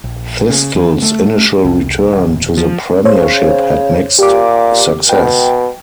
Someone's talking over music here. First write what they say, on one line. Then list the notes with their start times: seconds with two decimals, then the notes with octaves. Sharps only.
Thistle's initial return to the Premiership had mixed success.
0.04 A#1
0.49 C#3
0.75 E2
1.02 A3
1.65 C2
2.12 D1
2.57 F3
3.05 C#3 C5 C#5
4.19 A#2 G4 D6
5.09 B2 G5